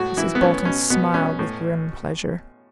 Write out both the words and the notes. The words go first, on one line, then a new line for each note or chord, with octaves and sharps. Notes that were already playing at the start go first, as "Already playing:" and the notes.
Mrs. Bolton smiled with grim pleasure.
Already playing: A2 F#4
E3 E4
B3
A2 C#4
B2 C#4
B2 B3
B2 C#4
A2